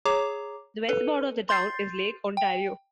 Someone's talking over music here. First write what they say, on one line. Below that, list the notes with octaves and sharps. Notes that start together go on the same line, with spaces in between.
The west border of the town is Lake Ontario.
G#4 C#5 A#5 D6
A4 B4
C6 G6 A6 C7
G5